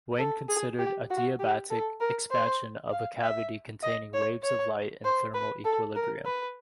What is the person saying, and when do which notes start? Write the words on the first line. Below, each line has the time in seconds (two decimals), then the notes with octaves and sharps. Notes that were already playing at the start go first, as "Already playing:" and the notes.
Wien considered adiabatic expansion of a cavity containing waves of light in thermal equilibrium.
0.18 A4
0.49 G#4
0.79 G4
1.10 F#4
1.39 G4
1.70 A4
2.00 A#4
2.31 C5
2.92 F5
3.22 E5
3.83 D#5
4.14 C#5
4.43 C#5
5.05 C5
5.34 B4
5.65 A4
5.96 A#4
6.26 B4